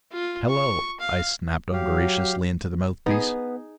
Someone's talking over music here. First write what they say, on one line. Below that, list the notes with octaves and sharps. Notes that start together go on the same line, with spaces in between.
"Hello!" I snapped ungraciously into the mouthpiece.
F4
C#6
F5
F#3 G4 F5
B3 D#4 G#4